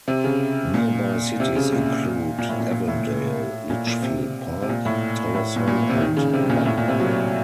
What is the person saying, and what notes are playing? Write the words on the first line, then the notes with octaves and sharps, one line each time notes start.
Nearby cities include Avondale, Litchfield Park, Tolleson and Buckeye.
C3
C#3
A#2
C3
C#3
A#2
A#2
A2
A#2
A#2
A2
A#2
A#2
C3
C3
A#2
A2
A2
A#2
A#2
C3
D#3
C#3
C3
A#2
A2
A#2
C3
F#3